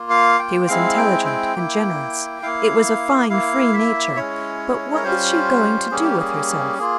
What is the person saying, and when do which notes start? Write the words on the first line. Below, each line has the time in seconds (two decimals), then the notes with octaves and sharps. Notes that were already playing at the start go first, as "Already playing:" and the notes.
She was intelligent and generous; it was a fine free nature; but what was she going to do with herself?
Already playing: A#3 F4
0.10 F5
0.39 G5
0.68 G#3 C4 E4 F5
0.98 G5
1.26 G5
1.55 A#3 E4
2.43 A#3 E4 F5
3.30 A#3 E4 F5
3.73 E5
4.16 G#3 C#4 E4 C#5
4.95 A#4
5.03 G3 C#4 F4 C5
5.91 G3 A#3 C#4 G#4
6.05 G4
6.19 G#4
6.78 A#3 F4 G#4